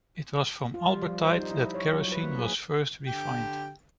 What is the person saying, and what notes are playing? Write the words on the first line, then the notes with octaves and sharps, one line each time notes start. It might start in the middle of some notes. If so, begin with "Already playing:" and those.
It was from Albertite that kerosene was first refined.
F4
G3
F3
C5
D#4
E4
C#5
F#3
B4
A#3
G#4
D3 G4 G5